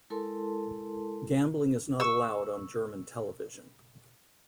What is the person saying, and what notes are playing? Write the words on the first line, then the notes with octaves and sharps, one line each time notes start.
Gambling is not allowed on German television.
G#3 E4 A4 A#4 A5 C6
C#6 E6